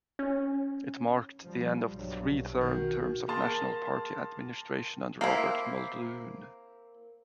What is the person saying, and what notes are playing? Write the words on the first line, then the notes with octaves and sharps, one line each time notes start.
It marked the end of three terms of National Party administration under Robert Muldoon.
C#4
F3 G3
B1 G2 F#3
D#2 D#3 F#4
A#3 G#4 A5 C6
A#3 C4 E4